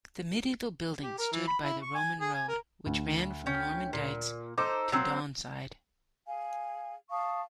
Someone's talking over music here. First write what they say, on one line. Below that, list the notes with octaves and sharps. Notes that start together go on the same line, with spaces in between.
The medieval building stood by the Roman road which ran from Normandykes to Donside.
G4
A#4
E3
B5
E4
C#6
G#5
G#4
G#5
A#4
D2
C#4 G5
A#2
D#4 A4 C5 D6 E6
F#3 A#3 C4 C6 E6
G#4 F5 G#5
F5 A5 C#6 D#6